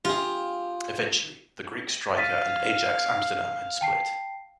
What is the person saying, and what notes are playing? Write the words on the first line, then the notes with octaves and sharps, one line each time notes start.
Eventually, the Greek striker and Ajax Amsterdam had split.
F4 G4 G#4
F5 A6 B6 D#7
G5 A5 C7